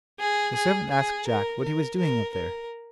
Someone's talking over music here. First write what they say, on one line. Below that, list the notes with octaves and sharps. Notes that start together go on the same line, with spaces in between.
The servant asked Jack what he was doing up there.
G#4
G#4
G#4
A#4
A#4
A#4
A#4